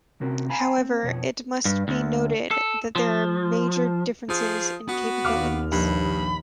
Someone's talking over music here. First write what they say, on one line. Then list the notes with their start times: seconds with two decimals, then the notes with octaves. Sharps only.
However it must be noted that there are major differences in capabilities.
0.21 C3 C4 C#4 F#4 A#4
0.50 F5 G#5 A#5 B5
0.78 C4
1.03 F2 B2 C#5
1.65 G2
1.88 D2
2.51 A4
2.96 F3
4.30 F3 G#4 D#6
4.89 B3 F#4
5.25 D#2 F5 D6 F6
5.72 A#1 G2 B5